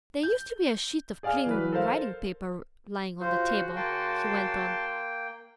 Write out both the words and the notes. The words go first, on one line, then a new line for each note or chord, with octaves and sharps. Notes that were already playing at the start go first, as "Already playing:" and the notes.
"There used to be a sheet of clean writing paper lying on the table," he went on.
G6
G#4 D5 F5 G#5 F6
E3 F#3 B4
A4 A#4 C5 F5
C#3 F4 F#4 C5
A#3 G5 A5 C6